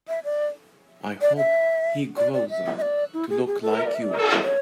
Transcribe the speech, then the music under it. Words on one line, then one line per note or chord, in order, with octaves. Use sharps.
I hope he grows up to look like you.
E5
D5
D5
E5
D5
D5
E5
E5
D5
E4
G#4
G#4
A4
E5
D5
E5
D5
C#5